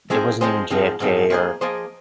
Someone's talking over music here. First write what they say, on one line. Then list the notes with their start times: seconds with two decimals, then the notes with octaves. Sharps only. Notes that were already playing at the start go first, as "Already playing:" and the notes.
it wasn't even JFK or
0.10 F3 G#3 C4 G#4 C5
0.41 F3 G#3 C4 G#4 C5
0.70 G#2 F3 G#3 C4
1.00 G#2 F3 G#3 C4
1.30 F3 A#3 G#4 C5 D#5
1.61 F3 A#3 G#4 C5 D#5